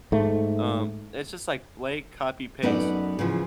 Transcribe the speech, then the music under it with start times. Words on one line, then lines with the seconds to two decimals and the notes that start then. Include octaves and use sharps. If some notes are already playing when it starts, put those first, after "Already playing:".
Um, it's just, like, blank, copy, paste,
0.12 G#2 A3
2.62 F#2 B3 D#4 A4 D5 F#5
3.19 C#3 E3 F3